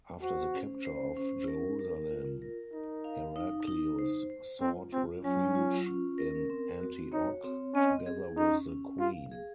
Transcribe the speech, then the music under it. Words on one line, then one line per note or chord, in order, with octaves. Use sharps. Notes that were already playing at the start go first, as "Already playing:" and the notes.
After the capture of Jerusalem, Heraclius sought refuge in Antioch, together with the queen.
F#4 C5
C#4
C5
C#4
A#4
A#4
F4
A#4
D#4 A#4
F5
D#4
D#4
C5
C5
C4 F4
C4 F4
F#3 C#4
F4
C#4
A#4
C4
F#4
D#4 C#5
C4
C#4 D#5
G#4
C#4 D#4
C#4
F4 F5
G#4